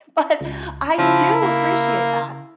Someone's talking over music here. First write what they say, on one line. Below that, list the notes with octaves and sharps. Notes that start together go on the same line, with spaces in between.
but I do appreciate that.
C#2
C#3 F3 E4
A#3